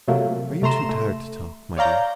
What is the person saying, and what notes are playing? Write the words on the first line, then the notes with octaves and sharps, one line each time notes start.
"Are you too tired to talk, my dear?"
C3 F3 F#3 A3 A#3
C3 A3 A#5 C6 E7
A3
C#5 D5 F5 A#5 G6